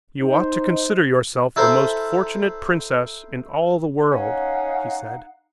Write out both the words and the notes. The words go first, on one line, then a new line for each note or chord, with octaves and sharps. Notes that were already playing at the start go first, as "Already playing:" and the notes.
"You ought to consider yourself the most fortunate princess in all the world," he said.
D#4 C5
E4 A4 A#4 C5 F5
C#4 D#4 F5 F#5